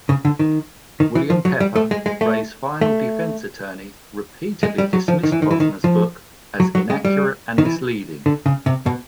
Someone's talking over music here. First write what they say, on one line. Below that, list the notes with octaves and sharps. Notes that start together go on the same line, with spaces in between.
William Pepper, Ray's final defense attorney, repeatedly dismissed Posner's book as inaccurate and misleading.
C#3
D3
D#3
D#3
E3
F3
F#3
G3
A3
G#3
G#3
A3
A3
G#3
G3
F#3
F3
D#3
E3
D#3
E3
D#3
F3
F#3
F#3
G#3
G3
D#3
E3
D3
C#3
C3
B2